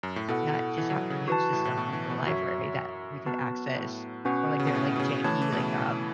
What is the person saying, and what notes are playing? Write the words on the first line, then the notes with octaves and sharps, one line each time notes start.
not just have to use the stuff from the library that we could access. Or, like, their, like, janky, like, um,
F#2
A2
B2 E4 A4 F#5
E3
F#3
E3
C#3
E3 F#4 B4 A5
A2
A2
B2
E3
B2
F#2 F#4 C#5 E5
B3 F#4 B4 A5
A2
B2 C#4 F#4 B4 F#5
C#3
B2
A2
B2
C#3
E3 A3 E4 C#5 A5
E3
B2
C#3